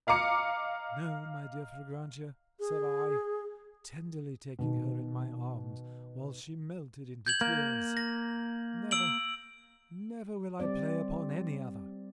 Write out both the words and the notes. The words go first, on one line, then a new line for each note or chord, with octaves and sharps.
"No, my dear Fragrantia," said I, tenderly taking her in my arms while she melted into tears; "never, never, will I play upon any other----!"
D#5 F5 A#5 D6 C#7
G#4
B2 D#3
G6 G#6 F#7
A#3
A#6
E6 D7 F#7
G3 C4 D5